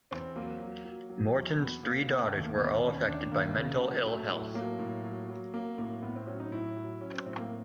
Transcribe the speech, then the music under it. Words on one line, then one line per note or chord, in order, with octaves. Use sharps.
Morton's three daughters were all affected by mental ill-health.
E2 C4
F#3 A#3
F#3
F#3
F#3
E2
B2 B3
B2 A#3
C#3 B3
A3
D#2 A3
A#3
D#2 B3
C4
B3
D#2 C#4
D#2 D4
D#2 A#3
C#3
F#3
F#3 A3
A2
F#3 A#3
A2
F#3
F#3
F#3 A#3
A2 A#3
A2 B3
C4
F#3 C#4
D#4
A2 E4
F#3
F#3 C#4
C4
A2 C4
A#3